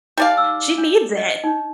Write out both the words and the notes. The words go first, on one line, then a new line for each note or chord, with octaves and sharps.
she needs it."
G3 D#4 D5 F5
E6
D4
D#5
D4 D#4